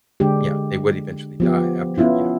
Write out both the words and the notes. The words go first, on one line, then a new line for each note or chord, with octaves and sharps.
yeah, they would eventually die after, you know,
D3 G#3 D4 G4
F3 B3 G4
B3 C#4 E4 F4